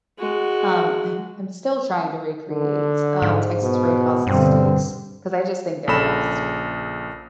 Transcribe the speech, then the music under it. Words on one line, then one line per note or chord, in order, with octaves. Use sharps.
um, I'm I'm still trying to recreates, um, Texas Roadhouse's steaks 'cause I just think they're the best.
G#3 F#4
D3
G#2
B2
G2 B2 D3 G3 C4
A#1 C#3 A4 B5 E7